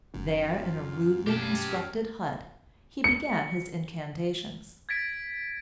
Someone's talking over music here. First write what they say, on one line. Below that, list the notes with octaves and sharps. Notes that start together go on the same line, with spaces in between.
There, in a rudely constructed hut, he began his incantations.
F1 F#2
F4
B2 G4 A5 F6
C#7
G#6 A6 B6 D7